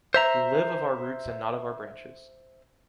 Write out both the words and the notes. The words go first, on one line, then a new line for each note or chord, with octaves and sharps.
We live of our roots and not of our branches.
C5 E5 A#5